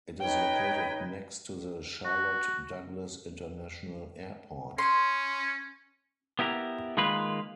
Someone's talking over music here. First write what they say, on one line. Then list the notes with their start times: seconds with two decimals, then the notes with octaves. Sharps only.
It is located next to the Charlotte-Douglas International Airport.
0.21 D#4 B4 C#5 G5
2.05 F#4
4.78 C#4 C6
6.39 B3 E4 G4 A#4
6.97 D#3 G#3 A#3 F4 B4